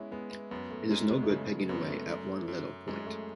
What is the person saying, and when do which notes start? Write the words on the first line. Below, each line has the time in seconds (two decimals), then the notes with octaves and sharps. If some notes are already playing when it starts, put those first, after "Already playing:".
It is no good pegging away at one little point.
Already playing: G#3 B3 C#4 E4
0.11 G#3 B3
0.31 B3
0.51 F#2 B3
0.71 A3
0.90 F#2 G#3
1.10 G#3
1.23 A3
1.29 C#3 G#3
1.49 A3
1.69 F#2 B3
1.88 A3
2.09 F#2
2.48 F#2
2.87 F#2 G#3
3.06 A3